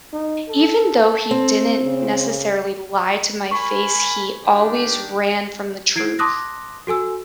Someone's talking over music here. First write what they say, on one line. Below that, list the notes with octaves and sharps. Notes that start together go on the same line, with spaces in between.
even though he didn't necessarily lie to my face, he always ran from the truth,
D#4
A4
C4
C#3
A#4 G#5 B5 C#6
D#3 D4 G4
E4 G#6 C7 D7
A5 C6 D6 D#6 F#6 A#6
F#4 A4 G#5 E6